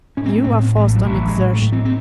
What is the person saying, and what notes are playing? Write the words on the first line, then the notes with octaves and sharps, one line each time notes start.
You are forced on exertion.
A2 C#4
C4
A3
A2 C4
A1 A3
F#3
A1
E3
G#3
A2 F#3
A3
A2
C4
C4